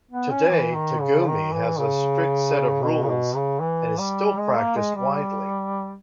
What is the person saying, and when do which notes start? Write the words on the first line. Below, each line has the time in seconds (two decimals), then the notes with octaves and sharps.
Today, "tegumi" has a strict set of rules and is still practiced widely.
0.11 B3
0.31 C#4
0.50 E3
0.76 D#3
1.02 C#3
1.28 D#3
1.53 E3
1.79 C#3
2.82 B2
3.03 C#3
3.09 B2
3.35 C#3
3.61 E3
3.98 G3
4.38 G#3
4.58 A#3
4.76 G#3
4.96 G3